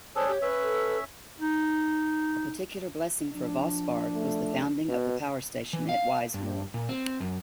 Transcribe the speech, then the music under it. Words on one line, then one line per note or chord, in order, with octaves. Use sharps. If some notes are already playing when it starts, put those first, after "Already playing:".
A particular blessing for Vossbarg was the founding of the power-station at Wiesmoor.
D4 G#4 A4 C5 C#5
G4
C#4 B4 E5
A4
D#4
F3 D4
A3
B2
E3
F5
G2
A#2
C4
F#2